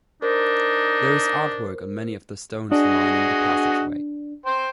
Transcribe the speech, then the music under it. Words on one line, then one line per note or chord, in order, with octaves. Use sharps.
There is artwork on many of the stones lining the passageway.
D4 D#4 A#4 C5
D4 F#4 G#4 D#5
C5 G5